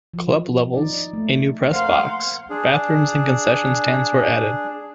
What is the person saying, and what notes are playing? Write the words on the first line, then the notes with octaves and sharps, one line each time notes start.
Club levels, a new press box, bathrooms and concession stands were added.
F3
D#4 D5
A3
A#4 C5 F5 F#5 C6
D4 G#4